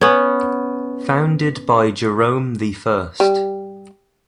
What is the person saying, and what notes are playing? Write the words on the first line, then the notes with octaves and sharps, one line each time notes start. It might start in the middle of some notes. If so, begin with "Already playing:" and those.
Founded by Jerome the First.
B3 C#4
G3